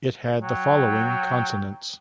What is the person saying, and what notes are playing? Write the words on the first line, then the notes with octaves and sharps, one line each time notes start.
It had the following consonants.
F#3 G5